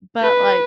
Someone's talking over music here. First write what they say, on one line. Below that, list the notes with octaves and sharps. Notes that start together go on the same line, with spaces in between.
But, like,
B4